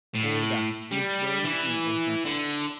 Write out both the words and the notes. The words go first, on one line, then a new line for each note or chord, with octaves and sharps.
Oda is buried in Osaka.
A2
G3
E3 E4
D3